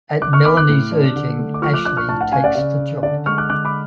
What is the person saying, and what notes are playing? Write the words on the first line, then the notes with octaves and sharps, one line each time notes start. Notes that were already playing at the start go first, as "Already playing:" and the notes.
At Melanie's urging, Ashley takes the job.
D3 D6 F#6
C#6 F6
B3 B5 D6
D6 F#6
A2
D4
D3
A3
D6
F3 C#6 F6
D6 F#6
D4 D6 F#6
C#6 F6
A2 A5 C#6
F#5 A5
C#4 F5 G#5
D5 F#5
C#3 D5
C#4
D3 D5
G#3 C#6 F6
D6 F#6
D3 D6 F#6
B5 D6